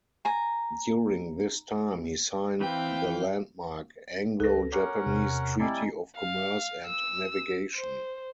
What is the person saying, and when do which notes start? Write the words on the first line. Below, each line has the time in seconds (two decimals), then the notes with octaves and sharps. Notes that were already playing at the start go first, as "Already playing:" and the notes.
During this time he signed the landmark Anglo-Japanese Treaty of Commerce and Navigation.
0.25 G#5 A#5
2.60 E3 C4 B4 F5 G5
4.40 C#2 A4 B4 A#6
4.72 C#4 A#4 C#5 F#5 D6
5.06 E2 C3
5.60 G3 C4 E4 D5 D#5 G#5 A#5
6.17 F5
6.86 E6
7.75 C5